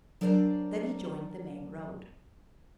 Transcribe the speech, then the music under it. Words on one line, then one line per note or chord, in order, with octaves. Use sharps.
Then he joined the main road.
F#3 D4 A#4 C5 D5 A#5